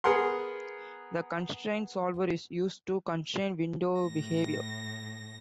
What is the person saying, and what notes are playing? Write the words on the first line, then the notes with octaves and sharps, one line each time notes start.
The constraint solver is used to constrain window behavior.
B3 G#4 A#4 F#5 C6
A2 A#6